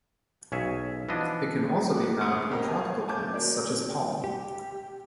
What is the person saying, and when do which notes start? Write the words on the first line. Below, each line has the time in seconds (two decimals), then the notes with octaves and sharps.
It can also be found in tropical plants such as palm.
0.52 B1 C#4 G#4 E5
1.09 E3 F3 B3 D4 D#5
1.94 F#4 D6
2.21 G1 B4 C6 D#6 C#7
2.51 B3 C#4 G4 A#4 C5 D#5
2.68 F5 G#5 A5
3.08 G#5 A5 D6 G6
3.34 F#3 A#3 C#4 D4
4.24 G4